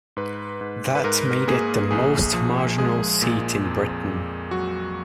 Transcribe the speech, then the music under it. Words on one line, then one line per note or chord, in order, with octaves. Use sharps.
That made it the most marginal seat in Britain.
G#2 B4
G#2
B4
G#2 A#4
A#3 G#4
A#1 G#4
F3
G#3 G#4
A#2
F2
F2
F#3 F#4